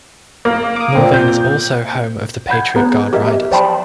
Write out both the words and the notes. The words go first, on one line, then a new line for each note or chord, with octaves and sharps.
Mulvane is also home of the Patriot Guard Riders.
A#3
D6 D#6
A#2 C4
G6
F#5 B5 G6 G#6
B3 G#4 B4 A#5
G4 A#4 D#5 E5
C5 D5 G5 A5 B5 C6